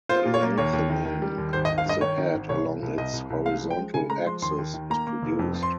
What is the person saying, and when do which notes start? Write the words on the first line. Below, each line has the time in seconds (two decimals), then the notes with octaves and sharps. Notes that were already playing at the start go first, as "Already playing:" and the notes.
A lengthening of the head along its horizontal axis is produced.
0.09 F4 C5
0.25 A#2
0.34 C#5
0.42 A#3
0.58 D#2 C#5
0.73 D#2
0.90 D#3
1.06 D#3
1.22 G3
1.38 D#2
1.53 G#1 C5
1.65 D#5
1.69 G#1
1.78 F5
1.86 G2 D#5
2.01 D#3 C#5
2.18 D#3
2.34 G#1
2.49 C2 C#5
2.65 C2
2.82 C2
2.98 C2 D#5
3.13 C2
3.30 C2
3.46 G#3 F5
3.62 F3
3.70 G5
3.78 G#3
3.94 C#3 G#5
4.10 G#3 A#5
4.26 F3 C6
4.42 D#2 C6
4.58 D#2
4.74 D#3
4.90 A#3 A#5
5.07 A#3
5.22 F1
5.39 F2
5.54 F3
5.63 C6